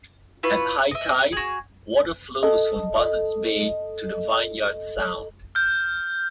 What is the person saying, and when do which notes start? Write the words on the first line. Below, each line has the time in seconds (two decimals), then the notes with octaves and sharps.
At high tide, water flows from Buzzards Bay to the Vineyard Sound.
0.43 E4 F4 B4 C#5
0.91 D#5 E5
1.32 F#4 G#4
2.43 A4 D#5
5.55 F6 G6